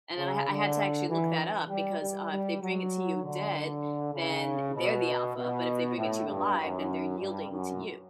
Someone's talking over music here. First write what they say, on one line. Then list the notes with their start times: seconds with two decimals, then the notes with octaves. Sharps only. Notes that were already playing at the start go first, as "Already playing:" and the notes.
And then I I had to actually look that up because, uh, if they bring it to you dead, then they're the alpha. But if they bring it to you alive, then they're yielding to you.
0.17 C#3
0.47 D3
1.08 E3
1.69 G3
2.00 G3
2.31 G3
2.61 F#3
3.22 D3
4.14 C#3
4.74 B2
5.36 B2
5.97 A2
6.28 G2
6.59 F#2
7.19 G2
7.50 F#2